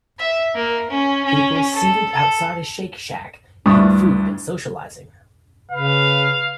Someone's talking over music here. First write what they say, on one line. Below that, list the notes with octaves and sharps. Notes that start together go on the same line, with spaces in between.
People seated outside a Shake Shack, eating food and socializing.
E5
A#3
C#4
C#4
A4
A4
D2 G2 D4 E4 C#6 D#6
C#3 B4 F5